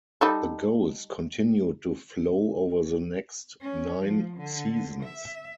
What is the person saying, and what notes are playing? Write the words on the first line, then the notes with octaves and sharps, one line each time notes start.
The goals continued to flow over the next nine seasons.
G3 D#4 A4
C#4
F3
D3
E5